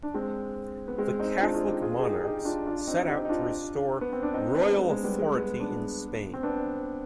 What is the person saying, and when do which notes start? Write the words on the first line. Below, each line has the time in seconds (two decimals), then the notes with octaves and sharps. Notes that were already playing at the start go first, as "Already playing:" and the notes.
The Catholic Monarchs set out to restore royal authority in Spain.
0.03 D4
0.14 G#3 C4
0.88 B3
0.98 G#3 C4
1.19 C4 D#4
1.41 D4 F4
1.54 F4 G#4
1.68 D#4 G4
1.82 F4 G#4
1.99 G#4
2.03 D#4 G4
2.25 D#4 G4
2.45 D4 F4
2.66 D4 F4
2.87 C4 D#4
3.08 D#4 G4
3.25 D#4
3.29 D4 F4
4.01 B3
4.12 C4
4.23 D4
4.34 C4 D#4
4.55 B3 D4
4.77 G#3
4.90 G#3
5.04 G3 B3
5.18 G#3
5.35 B3
5.39 G#3
5.60 B3 D4
6.34 C4
6.43 B3 D4